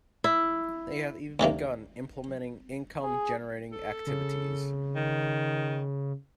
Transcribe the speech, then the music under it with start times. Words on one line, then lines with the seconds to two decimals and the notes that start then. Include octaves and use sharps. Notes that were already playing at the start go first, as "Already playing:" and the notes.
They have even begun implementing income generating activities.
0.24 E4
1.40 D2 C3 D#3 A#3
3.02 G#4
3.72 A4
4.07 C#3
4.96 D#3